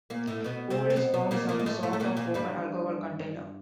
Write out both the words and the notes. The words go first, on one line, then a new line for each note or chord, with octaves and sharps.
Police found some sort of open alcohol container.
A#2 A#3
A2 A3
B2 B3
C3 C4
C4
B2 B3
B2 B3
A#2 A#3
A#2 A#3
G#3
A2 A3
A2 A3
A3
A#2 A#3
A#2 A#3
G2 G3